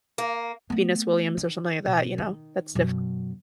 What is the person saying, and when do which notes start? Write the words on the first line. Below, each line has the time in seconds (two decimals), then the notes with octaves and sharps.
Venus Williams or something like that. You know? That's diffi
0.18 A#3
0.70 A3 B3
1.37 D#3
1.86 B2
2.18 D#3
2.75 F#2 B2